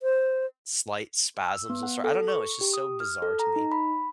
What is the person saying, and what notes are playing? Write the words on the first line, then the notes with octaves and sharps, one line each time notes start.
slight spasms will start, I don't know, it's just so bizarre to me.
C5
E6
B3
F#5
A4
C#6
G4
D#6
F6
A4
A#5
D#4
B5